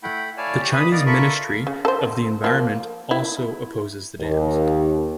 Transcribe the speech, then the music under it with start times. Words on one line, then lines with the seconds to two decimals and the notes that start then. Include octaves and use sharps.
The Chinese Ministry of the Environment also opposes the dams.
0.03 A3 E4 F#5 G5 B5
0.37 E4 C#5 D5 F5 G#5 A5
0.60 G4 C#5
0.73 B4 B5 D#6
0.91 B3 D#4 A#4 D5 F5
1.06 F4 A4 A#4 E5 B5 C#6
1.67 C#3
1.85 A4 C5
2.44 F3 A#3
3.11 E4
4.20 D#2